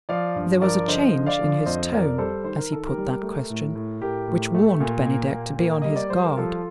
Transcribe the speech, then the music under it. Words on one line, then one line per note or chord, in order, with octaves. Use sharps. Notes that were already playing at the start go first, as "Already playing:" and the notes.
There was a change in his tone, as he put that question which warned Bennydeck to be on his guard.
F3 D5 F5
G2
F3 A#4 D5
D3 C5 D#5
D3
D5 F5
F3
F2 C5 D#5
F2 A#4 D5
G3 A4 C5
D#3 C5
A#4
D#3 A4
G4 A#4
G3
A3
A2
A2
A2 G4 A#4
A2
A3
A#2
A#3
A#2
A#3
G3 D#5
D5
G3 C5
A#4
F3 F4 A4